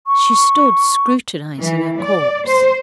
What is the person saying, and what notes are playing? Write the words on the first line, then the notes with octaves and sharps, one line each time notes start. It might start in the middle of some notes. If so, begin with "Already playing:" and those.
She stood scrutinising a corpse.
C#6
E3
D5
C5